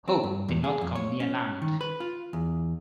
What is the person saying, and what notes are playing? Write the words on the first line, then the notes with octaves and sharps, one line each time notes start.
Hope did not come near land.
C4
G2
E2
G#4
F2
C#5
C#4
D#3
B4
F4
E2